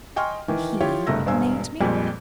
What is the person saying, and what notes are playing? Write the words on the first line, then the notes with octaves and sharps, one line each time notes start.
"HE made me--?"
D#5 G5 G#5 C6 C#6 F6
D#3 E3
F3 E4 F4 G4 C#5
F#1 G2 C3 A3 E6 A#6
E1 G2 C5 F5 G#5 E6
F2 A#2 G3 G#3 C4